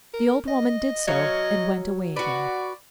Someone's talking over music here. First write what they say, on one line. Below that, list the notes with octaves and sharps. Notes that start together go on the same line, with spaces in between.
The old woman did so and went away again.
A#4
D#5
F#3 C#5 D#5 F5
F#4 B4 D5